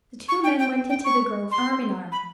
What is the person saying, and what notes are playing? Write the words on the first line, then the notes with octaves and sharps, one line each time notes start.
The two men went into the grove arm-in-arm.
C#6
G5
G5
G5
C#6
C6
B5